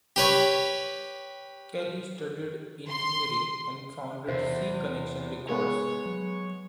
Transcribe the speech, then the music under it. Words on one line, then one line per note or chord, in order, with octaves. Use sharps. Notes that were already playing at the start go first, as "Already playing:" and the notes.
Kelly studied engineering, and founded C Connection Records.
G4 B4 C#5
C6
E2 C3 C5
G#3 B3 C#5
F#3